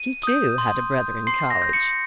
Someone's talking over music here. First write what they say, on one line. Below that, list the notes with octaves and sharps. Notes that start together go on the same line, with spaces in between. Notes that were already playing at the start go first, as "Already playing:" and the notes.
She, too, had a brother in College.
Already playing: D#7
D#6 G6
C6
G6
C6 C7
A#6
G6
C#7